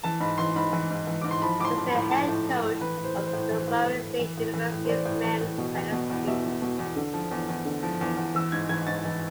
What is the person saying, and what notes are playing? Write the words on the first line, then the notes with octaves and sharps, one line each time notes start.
He is the head coach of the Murray State University men's tennis team.
E3 A5
G#2 B5
E3 C6
G#2 B5
E3
G#2
E3
G#2 D6
C6
F3 B5
A2 C6 D6
F3
B5
A2
F3 A5
A2
F3
A2
E3 B4
A2
C5
E3
C5
A2
E3 C5
A2
E3
A2
E3
A2
E3
A2
C5
E3 D5
A2
E3
A2
B2
E2
B2
E2
B2 E5
E2
B2
E2
D3
F3
E2
E2
D3
F3
E2
E2
E3 E6
G#2 G#6
E3 G#6
G#2 A6
E3